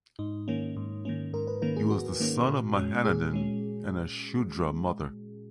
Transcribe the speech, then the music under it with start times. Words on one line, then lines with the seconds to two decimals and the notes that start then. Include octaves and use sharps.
He was the son of Mahanandin, and a Shudra mother.
0.19 G#2 D#4
0.48 D#3 A#3 C#4
0.77 G#2
1.05 D#3 A#3 C#4
1.33 G#2 A#4
1.47 B4
1.62 D#3 A#3 C#4 A#4
1.76 G#4
1.90 G#2 F#4
2.20 D#3 A#3 C#4
2.49 A#2
2.76 G#3 C#4
3.05 A#2 G#4
3.34 G#3 C#4